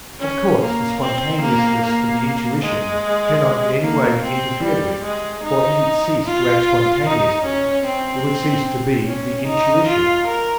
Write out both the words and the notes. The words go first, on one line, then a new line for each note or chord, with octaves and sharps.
Of course, the spontaneousness of the intuition cannot in any way be interfered with, for if it ceased to act spontaneously it would cease to be the intuition.
C#4
A#3
C4
A#3
A#3
G#3
A#3
C4
G3
G#3
D#4
F4
D#4
C#4
C4
C#4
D#4
F4
A#4